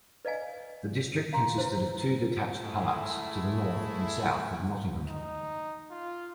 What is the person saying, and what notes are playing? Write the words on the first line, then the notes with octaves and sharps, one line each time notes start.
The district consisted of two detached parts, to the north and south of Nottingham.
B4 D5 D#5 F5 G#5
F5 A#5 C6
E4 B4 C5
G#3 A3 E4
D#4
F4